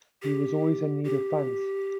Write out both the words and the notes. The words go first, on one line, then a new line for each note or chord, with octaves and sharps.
He was always in need of funds.
G4
G4